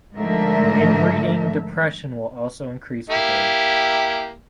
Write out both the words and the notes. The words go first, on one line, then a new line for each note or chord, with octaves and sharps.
Inbreeding depression will also increase with age.
G#2 D3 F3 A3 A#4 E5
A#3 E4 G4